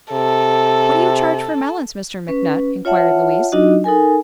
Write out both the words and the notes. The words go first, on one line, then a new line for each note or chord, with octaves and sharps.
"What do you charge for melons, Mr. McNutt?" inquired Louise.
C3 A4
C#4 B4
F4 C#5 E5 F#5 A5
F#3 D4 D#4 F4 F#4 D#5
D#4 A4 A#4 G#5